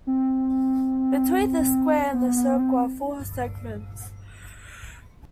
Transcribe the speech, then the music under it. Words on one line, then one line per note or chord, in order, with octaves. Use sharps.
Between the square and the circle are four segments.
C4
B3
B3
C4